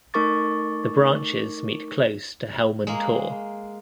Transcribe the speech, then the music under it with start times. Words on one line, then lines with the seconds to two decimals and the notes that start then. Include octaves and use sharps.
The branches meet close to Helman Tor.
0.14 A3 D#4 A#4 C#6 D6 A6
2.87 G#3 A#3